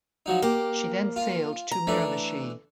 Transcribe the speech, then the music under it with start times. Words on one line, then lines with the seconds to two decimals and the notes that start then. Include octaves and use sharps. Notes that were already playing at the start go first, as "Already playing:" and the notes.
She then sailed to Miramichi.
0.26 F3 F#3 D#4
0.42 A#3 G4
1.16 F4
1.71 A#5
1.87 E3 A3 D4